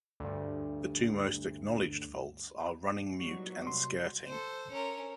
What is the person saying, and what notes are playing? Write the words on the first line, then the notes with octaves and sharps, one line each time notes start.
The two most acknowledged faults are running mute and skirting.
D2 G2
A#2 F#3 G3 B3 D#4 F#4 C#6
C3 C6
A4 C5
C#4 A#4